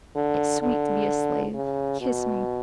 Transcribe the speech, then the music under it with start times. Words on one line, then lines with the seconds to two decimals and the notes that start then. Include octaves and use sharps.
It's sweet to be a slave. Kiss me!
0.15 D3
0.61 D3
1.55 C#3
2.01 B2